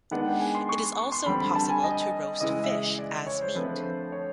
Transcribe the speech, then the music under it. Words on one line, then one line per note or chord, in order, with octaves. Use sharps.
It is also possible to roast fish as meat.
D#3 G#3 B3 D4 F#5
G5
G#5
C6
C#6
C#6
C6
D3 G3 C4 B5
B5
A5
G#5
D#5
C#3 E3 G#3 D#5
E5
D#5
D5
C#5
C5
D3 F3 A3 C4 B4
C5
C#5